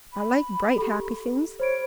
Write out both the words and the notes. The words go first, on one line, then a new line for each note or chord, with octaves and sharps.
I like bright, happy things.
B5
G4 A4
C5 C#5 B5 D7